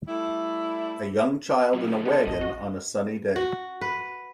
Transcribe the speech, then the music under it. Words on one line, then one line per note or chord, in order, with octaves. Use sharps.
A young child in a wagon on a sunny day.
G3 A3 E4
C3 F#3
C#3 F3
B3 D#4 A4
A1 D#5
F#4
F#4
B4